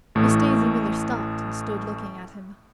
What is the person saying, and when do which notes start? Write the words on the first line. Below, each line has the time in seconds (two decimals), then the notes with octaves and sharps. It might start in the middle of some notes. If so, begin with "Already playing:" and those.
Miss Daisy Miller stopped and stood looking at him.
0.15 A1 A2 A3